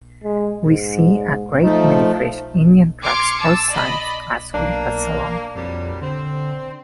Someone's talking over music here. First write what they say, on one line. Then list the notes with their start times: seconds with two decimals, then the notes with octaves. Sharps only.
We see a great many fresh Indian tracks or signs as we pass along.
0.24 G#3
0.66 G#2
1.63 F3 A3 D#4
3.02 C6 D6 F6 G#6 C#7
3.39 A5 E6
3.70 D5 D#5 B5
4.54 B1 A#3 D4
5.56 F2 A#2 F#3 G3
6.02 D3 C4